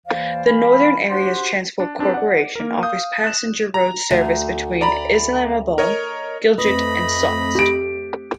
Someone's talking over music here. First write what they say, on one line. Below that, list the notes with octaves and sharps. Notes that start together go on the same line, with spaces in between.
The Northern Areas Transport Corporation offers passenger road service between Islamabad, Gilgit and Sost.
D#2 E3 C5 D5 F5
E3 G#3 F5 B5
D4 F#4 G4 C5 F#5 C6
D4
C4 D4 D#4 G4 B4
D5 F#5
A#3 A#4
F5 D#6 G6
F#6 E7
A#5
D2
D5 A#5 B5
A#4 C#5 D#5
F2 A3 B4 D#5 B5
G4 D7